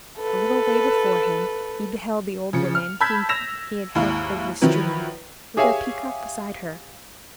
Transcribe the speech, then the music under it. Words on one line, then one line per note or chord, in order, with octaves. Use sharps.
A little way before him, he beheld the old woman whom he had helped over the stream, with her peacock beside her.
A4 B4
C#3 F3 C#7
F6
A5 B5 E6 G6 G#6 B6
E6 A#6 E7 F7
D#2 G#2 E4 F5
D#3 F3 F#3 E4 B4
G4 G#4 C#5 E5 F5 G#5